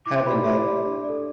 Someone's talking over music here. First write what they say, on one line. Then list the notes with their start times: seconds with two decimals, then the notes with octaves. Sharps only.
having that
0.06 E4 D6
0.16 C6
0.26 G4 B5
0.29 D5
0.35 D6
0.46 E4
0.65 G4 D5
0.85 D4
1.04 A4 D5